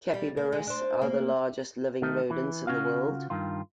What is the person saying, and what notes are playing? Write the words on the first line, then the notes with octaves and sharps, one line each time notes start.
Capybaras are the largest living rodents in the world.
G3
A#3
G#3
D4 C5
A#3
D#3 A3
E3
C#3 E3 C#4 F4 F#4 F5
G2 D#3 F4